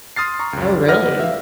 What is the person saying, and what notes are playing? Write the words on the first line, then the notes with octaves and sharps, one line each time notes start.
Oh, really?
C6 D#6 F6 A6 C7
A#5 C#6
C#2 F#2
B4 D5 F#5 F6 A#6
E5 F5